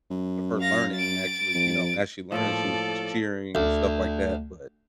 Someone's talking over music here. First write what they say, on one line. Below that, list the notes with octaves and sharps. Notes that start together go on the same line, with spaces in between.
of her learning and actually you know, as she learned, she was just cheering and stuff like that, but
F#2
F5 A#6
A6 D7
F2
A2 F3 A3 A#3 A4 D5
D2